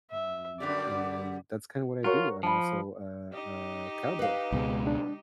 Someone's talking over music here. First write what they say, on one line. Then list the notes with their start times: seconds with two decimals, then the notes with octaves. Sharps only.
um, and that's kinda what I do. I'm also a a cowboy.
0.11 E5
0.60 F#2 D3 G3 D5
2.04 F4 F#4 A#4 C#5
2.43 F3 A5 B5
3.32 D#4 G4
4.19 B4 F5
4.52 C#2 B2 G#3
4.87 D4